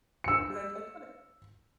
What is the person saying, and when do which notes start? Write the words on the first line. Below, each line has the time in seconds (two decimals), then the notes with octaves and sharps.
'cause I I just wanna
0.24 E6 C#7